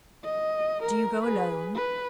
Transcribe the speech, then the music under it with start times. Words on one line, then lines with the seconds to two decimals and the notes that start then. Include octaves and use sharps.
"Do you go alone?"
0.24 D#5
0.82 A#4
1.24 G#4 B4
1.75 B4